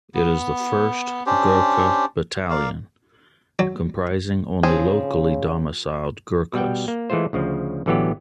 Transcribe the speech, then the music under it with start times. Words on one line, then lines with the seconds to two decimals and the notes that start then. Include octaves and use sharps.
It is the first Gorkha battalion comprising only locally domiciled Gurkhas.
0.14 B3
1.26 C#4 D4 G4 C5
2.50 A#4 D5 F5
3.59 F#3
4.63 C#3 F3 C4 G#4
6.53 B2 G3 F#5 G5
6.88 A#3
7.10 E3 G#3 A3 F4 C5
7.33 D2 C#3 F3
7.86 A1 D3 E3 F#3 B3 G4